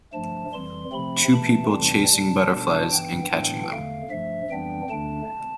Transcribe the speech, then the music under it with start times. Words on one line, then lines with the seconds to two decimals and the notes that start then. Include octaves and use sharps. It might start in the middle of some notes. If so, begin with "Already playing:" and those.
Two people chasing butterflies and catching them.
0.12 G2 F3 A3 A5
0.52 F2 E3 G3 C6
0.92 C3 F3 A3 C4 B5
1.32 C3 E3 A3 A5
1.72 E2 C3 E3 G3 C4 A5
2.12 C3 G3 D4
2.51 B2 G3 B3 D4
2.90 G2 E3 B3 G5
3.31 A2 E3 B3 D4
3.70 E2 D3 A3 F5
4.10 G2 F3 A3 E5
4.50 F2 E3 G3 B3 D4 G5
4.90 D2 D3 A3 D4 A5